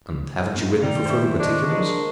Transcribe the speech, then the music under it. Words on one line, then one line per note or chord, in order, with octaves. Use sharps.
"And haven't you written for further particulars?"
A#3 C#4 F4
D#3 G3 A3 A#5
C5 E5
D4 C#5 D#5
G#3 A#3 D4